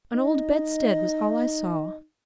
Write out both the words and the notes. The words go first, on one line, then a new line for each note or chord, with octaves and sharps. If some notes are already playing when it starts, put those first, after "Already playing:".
An old bedstead was all I saw.
D#4 D#5